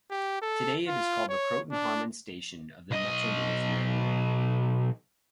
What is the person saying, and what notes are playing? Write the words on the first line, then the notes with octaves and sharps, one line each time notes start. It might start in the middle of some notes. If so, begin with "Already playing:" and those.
Today it is called the Croton-Harmon station of the Metro-North Railroad.
G4
A4
F4
C#5
D4
B1 D#5